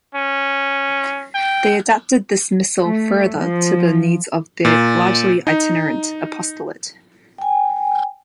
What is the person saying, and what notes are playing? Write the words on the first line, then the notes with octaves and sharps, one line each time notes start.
They adapted this missal further to the needs of their largely itinerant apostolate.
C#4
G5
A3
F3
A#2
D#4
G5 G#5